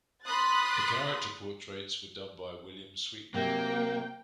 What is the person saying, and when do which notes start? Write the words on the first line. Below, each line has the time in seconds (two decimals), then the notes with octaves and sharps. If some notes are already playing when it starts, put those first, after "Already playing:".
The character portraits were done by William Sweetman.
0.25 B5 C6 D#6 F#6 A6
3.34 C3 F#3 A#3 G5